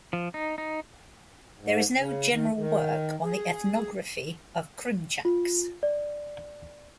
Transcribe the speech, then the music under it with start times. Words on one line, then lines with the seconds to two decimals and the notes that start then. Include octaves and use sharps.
There is no general work on the ethnography of Krymchaks.
0.13 F3
0.34 D#4
0.58 D#4
1.59 G#2
1.98 C#3
2.31 D#3
2.56 D#3
3.24 G#4
5.25 F4
5.83 D5